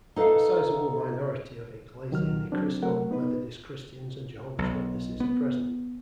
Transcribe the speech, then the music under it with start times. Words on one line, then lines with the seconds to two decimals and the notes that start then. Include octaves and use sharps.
A sizeable minority of Iglesia ni Cristo, Methodist Christians, and Jehovah's Witnesses are present.
0.16 D#4 A4 B4 E5 F5
2.11 C#2 D#3 F#3 F6
2.52 F#3 C4 D4
2.83 F#3 A3 A#4 F#5
3.11 B3 D#4 B4
4.59 B1
5.20 B3